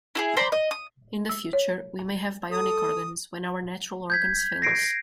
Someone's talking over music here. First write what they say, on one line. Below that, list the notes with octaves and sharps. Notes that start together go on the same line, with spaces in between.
In the future, we may have bionic organs when our natural organs fail us.
E4 G4 G#4
C5 D5 A#5 B5
D#5
D#6
E6
C#5
A4 D#6
G6 G#6 B6
A#6 C7 D7